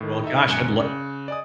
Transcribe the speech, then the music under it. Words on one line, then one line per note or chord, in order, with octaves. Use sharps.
well, gosh, I'd lo
A2 D#3 A3
D#4 A4 D#5 E5
G#1 F#2 G#3 G#5 F#6 C#7
C#3
D5 D#5 G#5 D#6